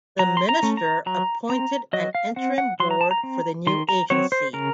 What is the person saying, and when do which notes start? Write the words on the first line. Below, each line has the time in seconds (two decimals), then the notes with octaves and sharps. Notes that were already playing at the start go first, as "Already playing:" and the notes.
The Minister appointed an interim board for the new agency.
0.19 F#3 A#5
0.37 C6
0.49 A#5
0.63 A3 C#4
0.77 A#5
1.06 F#3 A#5
1.49 C4 A#5
1.93 F#3 D#5
2.15 F5
2.36 C4 F#5
2.58 F#5
2.80 F#3 C6
2.91 A#5
3.01 A5
3.11 A#5
3.23 C4
3.67 D#3 C6
3.89 A#5
4.10 F#3 C4 C#5
4.32 C5
4.53 C#3 A#4